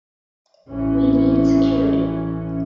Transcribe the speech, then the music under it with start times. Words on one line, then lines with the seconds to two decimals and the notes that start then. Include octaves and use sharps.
We need security.
0.69 A1 E3 C#4